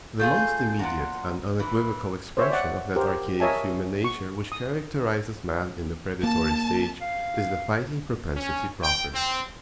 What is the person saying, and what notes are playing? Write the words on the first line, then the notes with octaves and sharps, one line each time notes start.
The most immediate and unequivocal expression of that archaic human nature which characterizes man in the predatory stage is the fighting propensity proper.
A3 F4 G#4 G6
E2 A#2 F#5
E3 B5
C5 C#5 E5
D5 F#5
G4 A#4 C5
A#4 C#5 D#5 E5 G#5 A5
C#6
D#6
A#3 A5
F5
C#4
G5
C4